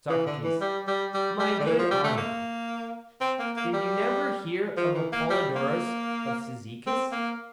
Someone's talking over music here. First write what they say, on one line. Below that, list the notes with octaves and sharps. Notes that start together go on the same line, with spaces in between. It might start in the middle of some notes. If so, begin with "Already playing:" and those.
SOCRATES: My good Ion, did you never hear of Apollodorus of Cyzicus?
E3
D3
E3
G3
G3
G3
G3
D3
E3
F3
G3
A3
A#3
C4
A#3
A#3
G3
F3
E3
A#3
G3
A#3
C4
A#3